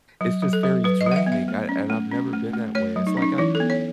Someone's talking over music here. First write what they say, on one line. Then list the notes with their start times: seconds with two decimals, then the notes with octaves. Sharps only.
it's just very draining. I and I've never been that way. It's like I
0.21 F#3
0.43 F#3
0.53 A4
0.63 F#3
0.84 F#3 B4
1.01 D#5
1.06 F#3
1.12 F#5
1.16 E5
1.26 B3
1.32 E5
1.48 A3
1.69 C#4
1.90 A3
2.11 C#4
2.33 A3
2.53 A3
2.75 A3 C#5
2.96 F#3
3.07 D#4
3.17 C#4 D#4
3.38 E3 E4
3.55 A4
3.60 B3
3.70 C#5